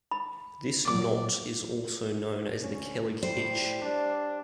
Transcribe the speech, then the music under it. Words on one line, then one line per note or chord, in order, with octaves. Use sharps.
This knot is also known as the kelleg hitch.
B5
A#2 F#3 D5 D6
D2 C#4
A2 G3 C5
G3 D4